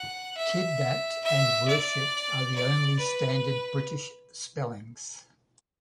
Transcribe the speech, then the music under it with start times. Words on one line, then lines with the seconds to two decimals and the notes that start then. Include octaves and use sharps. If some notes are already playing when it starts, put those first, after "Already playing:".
"Kidnapped" and "worshipped" are the only standard British spellings.
Already playing: F#5
0.37 E5
1.24 E5
1.68 D5
2.55 D5
2.99 B4